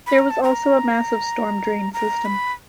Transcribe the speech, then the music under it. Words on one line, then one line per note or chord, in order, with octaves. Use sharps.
There was also a massive storm drain system.
B5
A#5
A5
A#5
A#5
B5